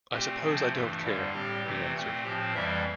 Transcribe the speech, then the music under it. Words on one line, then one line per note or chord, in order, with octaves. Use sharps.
"I suppose I don't care," he answered.
A#2 A3 C4 G4
C3 F3 A3 C4
G2 E3 A3 F4
G2 D3 G3 A#3 E4
A2 G3 C4 G4
C3 E3 A3 C4
A#2 A3 C4
A2 F3 C4 G4
F2 E3 G3 A#3 E5